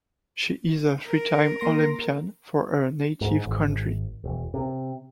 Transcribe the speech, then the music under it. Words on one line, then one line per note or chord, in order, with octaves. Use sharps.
She is a three-time Olympian for her native country.
A#4
A#3 C6 A#6
G#2
G#1
E1
C3